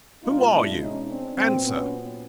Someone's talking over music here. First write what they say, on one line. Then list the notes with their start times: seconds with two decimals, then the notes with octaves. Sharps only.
Who are you? Answer!
0.23 B2 G#3 B3 D#4 F4
0.52 D4 E4
0.79 C#4 D#4
1.08 C4 D4
1.36 A#2 F#3 B3 C4
1.64 B3 C#4